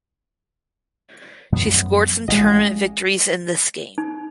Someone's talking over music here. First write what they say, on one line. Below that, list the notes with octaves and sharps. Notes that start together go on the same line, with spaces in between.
She scored some tournament victories in this game.
F#2 F3 B3
A1 G#3 D#5
D#4